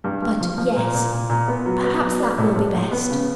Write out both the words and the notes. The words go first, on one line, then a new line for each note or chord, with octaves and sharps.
'But--yes! perhaps that will be best.'
G2
G2
F3
F3
A#2
A#2
A#2
A#2
B3
F#3
B3
F#3
D4
A2
A2
A2
B3
C#3